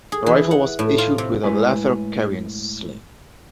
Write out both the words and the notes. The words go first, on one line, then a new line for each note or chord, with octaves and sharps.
The rifle was issued with a leather carrying sling.
G#4
E3
F#5
A2
F4
C3
A2 G#3 E4 B4 G#5